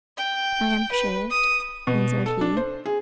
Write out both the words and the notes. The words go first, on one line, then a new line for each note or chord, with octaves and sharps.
"I am shaved," answered he.
G5
B4
D#6
B2
A4
D4
C5
G#4